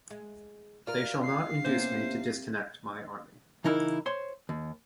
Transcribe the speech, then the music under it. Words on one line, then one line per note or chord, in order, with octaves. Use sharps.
They shall not induce me to disconnect my army.
G#3
F4 A#4 D5 F6
F5 C7
C3 A#3 B3 C#4 C5
C#3 E3 D#4 E4 A#4
C5 C#5 C6
D#2